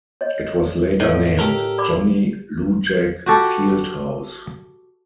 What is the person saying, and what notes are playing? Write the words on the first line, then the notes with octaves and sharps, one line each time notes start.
It was later named Johnny Lujack Field House.
C#5 D#5
A2 D#5 F5
G4 A4 A#4
D5 B5 D6
F#4 G4 A4